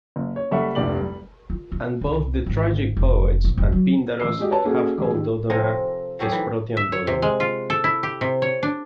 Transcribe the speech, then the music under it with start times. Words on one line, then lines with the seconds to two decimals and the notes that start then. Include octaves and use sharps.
And both the tragic poets and Pindaros have called Dodona 'Thesprotian Dodona.
0.16 F#1
0.36 C#5
0.51 F#1 G3 A4 E5 F#5 C#6
0.75 F1 C2 G2 G4 D5 F#7
1.00 G3
1.50 F4
1.72 A#3
2.01 C2
2.46 G#1
2.97 F1
3.44 A#1
3.57 F1
3.72 F#3
4.20 A1 E6 C7
4.39 G#3 F#4 G4 D#5
4.51 B4 C#5 A5
4.65 A#3 C#4 F#4 G#4 A4
4.98 A1 G3 G#4
5.14 D#3 G4
5.50 C3 F3 A4 A#4 D#5 G#5
6.19 F#3 A3 G4 G#4 D5
6.32 E3 D#4
6.77 E5
6.92 C#5
7.07 C3
7.22 G#3
7.40 F4
7.70 A4
7.84 E4
8.03 G4
8.21 C3
8.42 C#5
8.63 D4